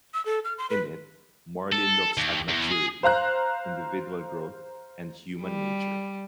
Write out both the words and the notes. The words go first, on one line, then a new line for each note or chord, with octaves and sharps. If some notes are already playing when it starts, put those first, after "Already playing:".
In it, Morley looks at maturity, individual growth, and human nature.
E6
A4
F6
C6
B4
A4
D#2
E2
G#4
C5 F5 A#5 F#6
G3